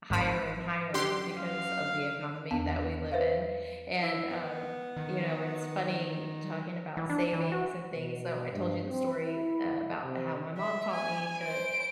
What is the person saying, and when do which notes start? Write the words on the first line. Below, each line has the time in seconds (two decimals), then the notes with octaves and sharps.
higher and higher because of the economy that we live in, and, um, you know, it's funny talking about savings and things. So, I told you the story eh about how my mom taught me to
0.10 G#1 B5
0.94 F#2 G4 C6
1.38 F5
2.51 E2 B3 A5
3.12 B4 C5 E5 F5
4.03 E4
4.29 B3
4.97 D#3
6.97 E3
7.10 D4
7.33 E3
7.52 F#4
7.94 B2
8.50 G2
8.86 C4
9.25 E4
10.03 C3
10.57 E5
10.93 G#5
11.41 C5 D7